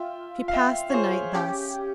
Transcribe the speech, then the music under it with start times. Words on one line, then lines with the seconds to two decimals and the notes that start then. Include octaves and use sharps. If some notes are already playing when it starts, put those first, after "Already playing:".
She passed the night thus.
Already playing: F4 E5 G5
0.48 F5
0.53 E5 G5
0.90 C#5
0.94 G#4 C5
1.34 C#4 G4